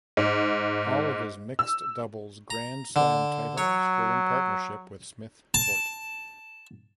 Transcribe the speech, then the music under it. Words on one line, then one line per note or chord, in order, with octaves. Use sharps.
All of his mixed doubles Grand Slam titles were in partnership with Smith Court.
G#2
E6
A#5
D3
F#3 C#5
A5